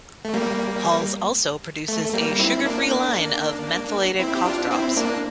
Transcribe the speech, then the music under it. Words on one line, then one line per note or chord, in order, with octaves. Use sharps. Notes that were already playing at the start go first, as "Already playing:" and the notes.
Halls also produces a sugar free line of mentholated cough drops.
A3
G3 A#3
A3
G3 A#3
C4 E4
A#3 D4
C4 E4
G4
D4 F4
C4 E4
A#3 D4